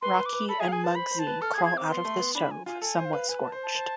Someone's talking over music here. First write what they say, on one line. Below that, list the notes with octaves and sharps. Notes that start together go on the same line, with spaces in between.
Rocky and Mugsy crawl out of the stove, somewhat scorched.
B4 C6
B4
D6
B4
A4 B5
G#4 G#5
F5
G#4 G#5
B4 A5
C5 B5
C5
A5
B4
A4 F6
G#6
G#4
G#6
C4 D6
B3 C6
A3
B3
D4 B5
G#5
F4 G#5
A4 G#5
C5
F5
B4
B4 G#5
A5
C5
A5
C5